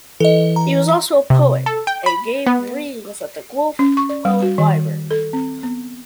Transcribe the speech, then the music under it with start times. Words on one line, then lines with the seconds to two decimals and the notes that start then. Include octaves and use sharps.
He was also a poet, and gave readings at the Guelph Public Library.
0.20 E3 A4 D#5
0.56 A#5
1.30 C3
1.66 A4
1.87 G5
2.06 B5
2.47 B3
3.79 C#4
3.97 C#6
4.09 D5
4.25 G3
4.42 F#4
4.58 D#3
5.11 A4
5.33 C4
5.63 B3